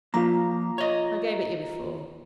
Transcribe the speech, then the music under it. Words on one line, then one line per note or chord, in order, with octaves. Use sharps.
'I gave it you before.
F3 A#3 F4 A#5
C#5 D#5